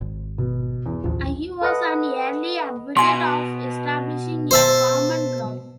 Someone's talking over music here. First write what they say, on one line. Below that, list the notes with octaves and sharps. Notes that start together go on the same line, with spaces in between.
Agee was an early advocate of establishing a common ground.
G#1
B2
E2
A1 D#2 F3
A4 B4 D#5 F#5
B2 G#5 C6
C5 E5 A5